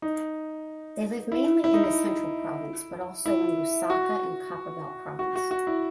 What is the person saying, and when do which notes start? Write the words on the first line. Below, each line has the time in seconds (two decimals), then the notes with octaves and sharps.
They live mainly in the Central province but also in Lusaka and Copperbelt province.
0.02 D#4
1.32 E4
1.64 E4
1.74 D#4
1.84 E4
3.26 E4
3.90 F#4
5.19 F#4
5.36 F#4
5.51 F#4
5.67 E4